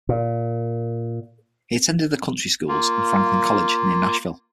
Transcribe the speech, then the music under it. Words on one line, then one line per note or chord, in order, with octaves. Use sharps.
He attended the country schools and Franklin College, near Nashville.
A#2
A#3 F4